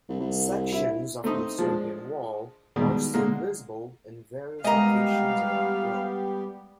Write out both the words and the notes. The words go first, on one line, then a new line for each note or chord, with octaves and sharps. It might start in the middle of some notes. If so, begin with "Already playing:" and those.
Sections of the Servian Wall are still visible in various locations around Rome.
C2
C2
E4
A3 C4 D#4 D#6
F3 G#3 D4
B2 D#3 G3 G#3
D3 G#3 A#3
G3 G#3 B3 G4 A#4 D#5 F5 A#5